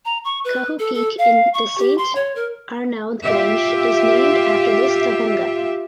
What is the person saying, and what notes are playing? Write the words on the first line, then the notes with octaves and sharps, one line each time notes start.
Kahu Peak in the Saint Arnaud Range is named after this tohunga.
A#5
C#6
B4
A4
A4
F5
C#6
G4
C6
C#5
A#4
F4 G4 E5